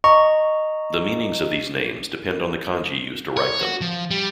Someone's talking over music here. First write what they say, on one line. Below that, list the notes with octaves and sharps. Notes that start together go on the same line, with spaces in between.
The meanings of these names depend on the kanji used to write them.
D#5 A#5 C#6
C#5
F#4
F3
G3